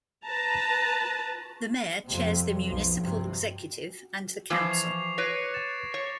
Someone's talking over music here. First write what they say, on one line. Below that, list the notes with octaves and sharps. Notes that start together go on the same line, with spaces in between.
The mayor chairs the municipal executive and the council.
B4 A5 A#5
F2 C3
B1 F3
G2 C3
E3 F3 D6 G#6 C7
C#6 F7
B4 C#5 A#6 C7 D7
C#7
A6 E7
C#5